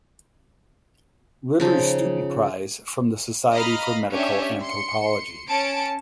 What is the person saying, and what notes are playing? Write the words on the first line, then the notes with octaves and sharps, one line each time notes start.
Rivers Student Prize from the Society for Medical Anthropology.
C#3 F3 D#4
D#5 F5 A#5 B5 F6
C#4 D4 G4 C#5 E5
C6 C#7
C#4 A5 C#7 D7